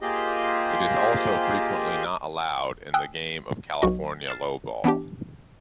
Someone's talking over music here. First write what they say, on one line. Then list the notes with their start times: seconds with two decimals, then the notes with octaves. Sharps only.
It is also frequently not allowed in the game of California lowball.
0.01 A#3 F4 G4 G#4 C5 D#5
2.94 G5 G#5 D#6 E6 F#6
3.82 B1 F#4 D#5
4.28 F6 A6 C7 E7
4.84 E3 B3 D4 G4